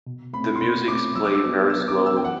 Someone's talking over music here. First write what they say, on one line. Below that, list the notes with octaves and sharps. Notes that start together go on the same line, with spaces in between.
The music is played very slowly.
B2
A3 C4 B5
C6
B2 B5
A3 C4 D6
F#3 E6
D6
E6
B3 F#4 C5
F#3 E6
D6
B3 F#4 C5
E6
G5
E3 F#5